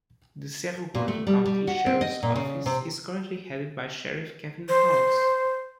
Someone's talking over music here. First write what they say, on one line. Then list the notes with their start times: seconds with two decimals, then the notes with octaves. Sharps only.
The Cerro Gordo County Sheriff's Office is currently headed by Sheriff Kevin Pals.
0.95 A#2
1.08 A3
1.27 G3
1.46 G3
1.67 F#4
1.86 C4
2.01 D#5
2.23 A#2
2.36 C#3
2.66 C3
4.69 C5